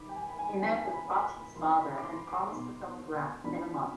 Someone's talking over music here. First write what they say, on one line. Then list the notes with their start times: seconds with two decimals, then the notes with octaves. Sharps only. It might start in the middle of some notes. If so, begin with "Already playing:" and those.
He met with Rati's father and promised the film would wrap in a month.
Already playing: D#3 G3 D#4 B5 D6
0.09 G5
0.16 G#5
0.29 B5
0.39 G#5
0.62 F3 C4 D#4 G#5
0.85 G#5
0.94 B5
1.25 B5
1.56 F3 C4 D#4 C6
1.80 B5
1.98 D6
2.03 C6
2.27 D6
2.50 B2 B3 D#4 C6
3.44 F3 B3 D4 B5